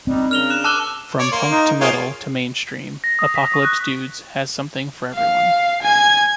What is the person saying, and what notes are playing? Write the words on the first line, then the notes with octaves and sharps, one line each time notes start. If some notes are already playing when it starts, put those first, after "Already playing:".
From punk to metal to mainstream, "Apocalypse Dudes" has something for everyone.
G3 C4 D4 D#4
C#3 D4 A#4 F6 F7 G7
F#6 E7
A5 D6 E6 F#6 E7 G7
C#5 D5
A#3 C6
D#4
A#3 F4 G#4 C#5
A#6
D#6
B6
C#6
F#6
F5
G#5 G#6